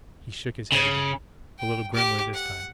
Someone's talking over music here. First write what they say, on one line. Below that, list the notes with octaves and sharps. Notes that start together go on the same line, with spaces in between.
He shook his head again--a little grimly this time.
C#3
G5
G4 D6
F#5